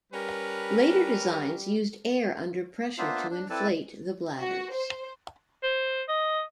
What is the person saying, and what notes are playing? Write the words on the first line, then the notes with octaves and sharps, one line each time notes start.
Later designs used air under pressure to inflate the bladders.
G3 C#4 A#4 B4
A#3 B3 D4 F4 C5 E5
D4
C4 E4 A4 B4 D5 A5
F#4
C5
C5
D#5